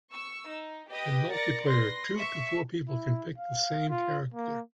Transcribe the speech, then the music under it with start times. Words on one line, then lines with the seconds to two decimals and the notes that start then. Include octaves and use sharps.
In multiplayer, two to four people can pick the same character.
0.12 C#6 E6
0.48 D#4
0.90 G4 B4 D#5 G5 D#6
1.31 A#4 D5 A6 A#6 C#7
1.66 B4 C6 A#6
2.16 E5 C#6
2.88 E4
3.38 F5
3.89 F4
4.34 A#3